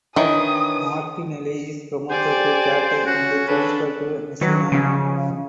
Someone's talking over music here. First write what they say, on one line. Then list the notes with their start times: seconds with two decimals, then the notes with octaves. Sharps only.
Martinelli is promoted to captain and transferred to Messina.
0.16 D#3 E3 D4 B4 C#5 D#6
2.11 G4 C5 D5 G#5
3.06 C#4 F#4
3.48 D4 A4 B4
4.41 D#3 F#3 B4
4.72 C#3 F3 C#4